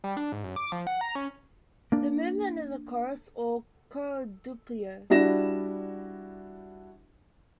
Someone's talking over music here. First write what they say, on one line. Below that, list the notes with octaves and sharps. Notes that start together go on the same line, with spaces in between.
The movement is a chorus, or "coro doppio".
G3
D4
G#2
F#2
D6
F3
F#5
A#5
C#4
A#3 D4
G3 D4 E4 F#4 A#6 E7